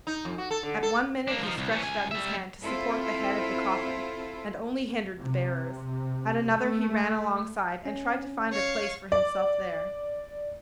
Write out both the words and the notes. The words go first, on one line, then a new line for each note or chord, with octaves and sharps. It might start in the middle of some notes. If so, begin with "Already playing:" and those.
At one minute he stretched out his hand to support the head of the coffin and only hindered the bearers, at another he ran alongside and tried to find a place for himself there.
D#4
F2
F#4
A4
D3
A4
A#3 D4
F3 D#4
C2
E3 C#4
C#2 G#5
G3 E5
C4 E4 F4 A4
C3
A3
C#4
C#5 F5
D5